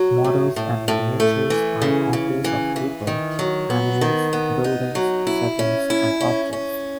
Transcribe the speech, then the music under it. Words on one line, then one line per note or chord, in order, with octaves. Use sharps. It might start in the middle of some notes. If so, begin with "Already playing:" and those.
Models and miniatures are copies of people, animals, buildings, settings and objects.
Already playing: F#3
A2
A2
A2
A3
E3
C#3
C#3
E3
E3
D#3
F#3
B3
D#3
B3
D#4
F#3
E4
C#4
E4
C#4
C#4